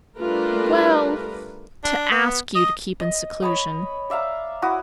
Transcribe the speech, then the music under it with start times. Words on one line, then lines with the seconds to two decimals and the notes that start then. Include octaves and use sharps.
"Well--to ask you to keep in seclusion."
0.18 G3 A3 D4 F4 A#4 B4
1.84 D4
2.11 B3
2.55 D#5
3.00 D#5
3.42 C#5 B5 D#6
4.10 D5 E5 F5 A#5
4.62 E4 F#4 D6 D#6